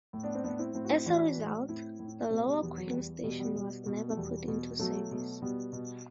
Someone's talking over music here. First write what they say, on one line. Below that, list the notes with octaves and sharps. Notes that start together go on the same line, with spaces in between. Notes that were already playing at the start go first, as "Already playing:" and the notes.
As a result, the Lower Queen Station was never put into service.
A2
B3 D4
C4
A2 B3 D4
C4 E4
A2 C4 E4
F#4
C4 E4
E4
E3 D4 F#4
A2
A2 C4 E4
A2
E4
D4
B2 A3 C4
G3 B3
E2 G3 B3
F#3
A3
E2 G3
B2 G3
G3 B3
B2
B2
A3
E2 G3
B2
B2 F#3 A3
B2
B2 G3 B3
B2